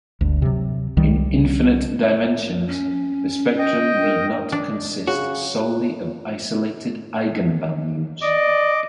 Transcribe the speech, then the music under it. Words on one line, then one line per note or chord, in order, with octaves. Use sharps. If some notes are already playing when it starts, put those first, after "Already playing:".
In infinite dimensions, the spectrum need not consist solely of isolated eigenvalues.
G1 D2
C3 F#3
C2 D#3 G3
C#4
D#5 G5
A#4
D4
C#3 F#4
D5 D#5 D6